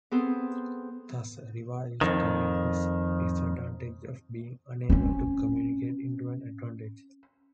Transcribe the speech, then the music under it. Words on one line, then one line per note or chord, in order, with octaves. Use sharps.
Thus, Riva is turning his disadvantage of being unable to communicate into an advantage.
B3 C4 G#4 A4 C5
F2 D#3
C4 C#4